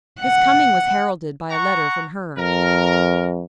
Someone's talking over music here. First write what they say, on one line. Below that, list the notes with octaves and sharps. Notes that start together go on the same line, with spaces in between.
His coming was heralded by a letter from her.
F#5
F#5 A#5 C#6
F2 A#4